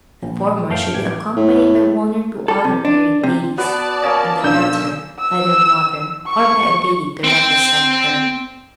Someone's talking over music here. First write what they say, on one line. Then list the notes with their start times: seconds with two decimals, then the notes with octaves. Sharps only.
The former should be accompanied by one or two other married ladies, and the latter by their mother, or by a lady to represent her.
0.23 A#1
0.70 F#2 A3 F5 G5
0.94 A1 E3 D6 G#6
1.37 A2
2.48 A4
2.64 C3
2.85 D4
3.23 C3
3.58 B3 F#4 B4 D5 A5
4.02 A#3 C#4 D#5
4.43 B1 D4 E6 G6
5.21 E6
6.28 C#6
7.24 C4 G5